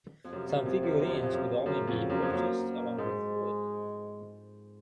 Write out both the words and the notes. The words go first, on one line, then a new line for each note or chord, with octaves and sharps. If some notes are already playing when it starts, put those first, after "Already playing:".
Some figurines could only be purchased along with food.
F2
F#2 C3
F#2
F2
F#2
F#2
F2
F2
F#2
F#2 C#3
F2
F#2
F2
F#2 A#3
G#2 G#3